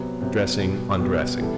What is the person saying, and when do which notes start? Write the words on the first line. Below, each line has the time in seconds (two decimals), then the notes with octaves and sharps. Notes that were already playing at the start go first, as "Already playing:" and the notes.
Dressing, undressing.
Already playing: C3 F#3 B3
0.20 C3 F#3 B3
0.60 B2 G3 B3
1.00 B2 G3 B3
1.39 E3 G3 B3 E4 A4